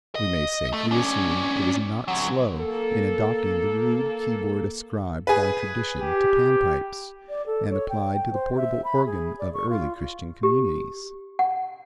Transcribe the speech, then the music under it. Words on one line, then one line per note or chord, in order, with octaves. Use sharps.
We may safely assume it was not slow in adopting the rude keyboard ascribed by tradition to Pan pipes, and applied to the portable organ of early Christian communities.
D#5
A3
C#4 D4
D2 F#3
A#3 A4
G#4 B4
G4
D5
A4
C#5
G5
G5
C5
E5
B5
G#4
D5
C#6
F4
G4
F#5